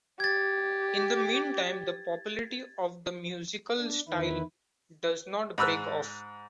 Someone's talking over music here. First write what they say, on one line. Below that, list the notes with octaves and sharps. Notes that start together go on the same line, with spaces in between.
In the meantime, the popularity of the musical style does not break off.
G4 G#6 A6
D4
E2 D#3 E4 B4
G#2 B5 E6 F#6